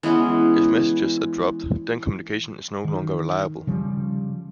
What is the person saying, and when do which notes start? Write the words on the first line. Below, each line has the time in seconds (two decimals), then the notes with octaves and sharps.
If messages are dropped, then communication is no longer reliable.
0.03 E3 G#3 B3 C#4
2.84 D#3
3.67 C#3 F3 G3